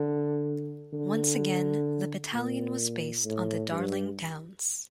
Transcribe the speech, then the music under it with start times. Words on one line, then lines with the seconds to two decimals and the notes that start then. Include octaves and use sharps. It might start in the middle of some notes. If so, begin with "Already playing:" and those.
Once again, the battalion was based on the Darling Downs.
Already playing: D3
0.93 D3
2.33 A#2
3.24 A2
3.71 G2